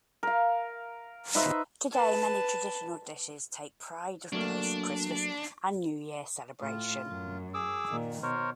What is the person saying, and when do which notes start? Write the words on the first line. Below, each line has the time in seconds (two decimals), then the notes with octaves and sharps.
Today, many traditional dishes take pride of place at Christmas and New Year's celebrations.
0.23 A#4 F5
1.35 D#4 B4 C5 E5
1.93 B4 A5
4.33 F#3 A3 A#3 D4
6.61 A2 F4
7.09 F#2
7.54 G#4 D6 E6
7.89 A#2 D#3
8.23 B2 A#4 C5 C#5